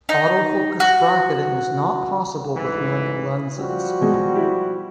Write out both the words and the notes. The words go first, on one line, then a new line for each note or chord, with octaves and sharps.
Auto focus bracketing is not possible with manual lenses.
D#4
F#4
D2 G#2 E3
F3 G3 F#4
B2 G#3
E4 G4